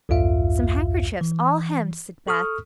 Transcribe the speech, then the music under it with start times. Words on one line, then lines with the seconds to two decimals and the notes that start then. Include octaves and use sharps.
"Some handkerchiefs, all hemmed," said Beth.
0.09 B1 E2 G2 F4 E5 F5
1.21 E3
2.28 A4 C#6 D#6 F6